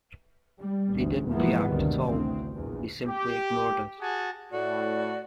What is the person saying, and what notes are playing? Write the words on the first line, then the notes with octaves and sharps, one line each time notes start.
They didn't react at all; they simply ignored us.
G3
A1 D2
E2 G#2 E3 F3 A#3 B3
D2 G2 C3 D#3 G3
A1 D2 C4
A#1 E2
G4
F#4 G#4 G#5 A5
A2 F#4 D5